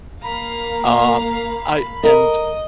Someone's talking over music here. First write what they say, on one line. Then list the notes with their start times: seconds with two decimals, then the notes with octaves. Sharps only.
Um, I and
0.23 A#3 F5 A#5 B5
2.03 A#4 D#5